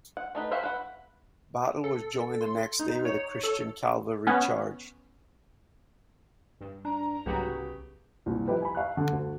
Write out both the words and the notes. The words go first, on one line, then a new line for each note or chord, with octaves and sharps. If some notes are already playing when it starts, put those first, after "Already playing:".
Battle was joined the next day with a Christian cavalry charge.
F#5
A3 D#4 B4
F#4 G4 C5 E5 F5
B4 F#5
A4
C6
D#4
C#5
A4
B3 C#4
G2
D4 A#5
C2 G#2 C#3 F#3 B3 F#4 G4
C2 A#2
F3 E4 G4 B4
G#5 B5
E5 F5 C#6 F#6
D3
D2